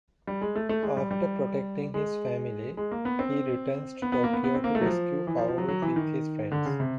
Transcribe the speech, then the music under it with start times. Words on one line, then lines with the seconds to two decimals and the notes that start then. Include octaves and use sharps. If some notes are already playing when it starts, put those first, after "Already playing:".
After protecting his family, he returns to Tokyo to rescue Kaoru with his friends.
0.27 G3
0.41 G#3
0.56 A3
0.69 A3
0.83 G#3
0.97 G3
1.11 G3
1.94 G#3
2.77 G#3
2.91 A#3
3.05 B3
3.19 C4
4.02 B3
4.12 B3
4.24 A#3
4.33 B3
4.44 B3
4.54 C4
4.64 A#3
4.75 A3
4.81 F#3
4.85 F3
5.27 E3
5.37 F3
5.48 F3
5.58 F#3
5.68 F#3
5.82 E3
5.96 D#3
6.52 D3
6.65 C#3
6.80 C3